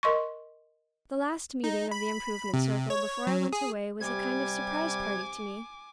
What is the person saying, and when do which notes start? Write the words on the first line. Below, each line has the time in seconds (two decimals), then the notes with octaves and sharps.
The last meeting of the Improvement Circle before I went away was a kind of surprise party to me.
0.03 A#4 D#5 C6 C#6
1.64 D#4
1.91 B5
2.54 C3
2.90 C#5
3.27 F#3
3.53 G#4
4.01 C3 G3 G#5 D6 G#6